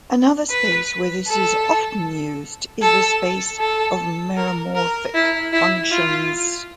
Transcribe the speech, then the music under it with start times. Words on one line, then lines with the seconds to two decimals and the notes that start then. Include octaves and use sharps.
Another space where this is often used is the space of meromorphic functions.
0.50 B4
1.27 A4
2.82 A4
3.59 A4
4.37 A#4
4.75 A#4
5.14 E4
5.53 E4
5.91 F4